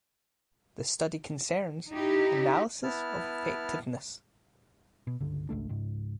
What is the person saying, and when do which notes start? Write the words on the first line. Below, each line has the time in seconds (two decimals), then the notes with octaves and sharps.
This study concerns "Analysis of Effectiveness".
1.93 D#4 E4 G4
2.83 B3 E4 A5 F6
5.07 B2
5.20 G1 C#2 D3
5.49 G#1 C#2 A3 D4
5.69 C#2 G#2